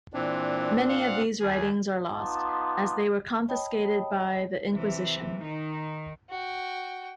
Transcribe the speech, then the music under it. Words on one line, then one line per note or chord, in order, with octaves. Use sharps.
Many of these writings are lost, as they were confiscated by the Inquisition.
A#2 E3 C4 D4
F5 F#5
D#2 G#4
B3 D#4 F4 A5 C6 D6
C#5 D#5 G5 A5 B5 D#6
C3 E3
D#3 D#4
F#4 G5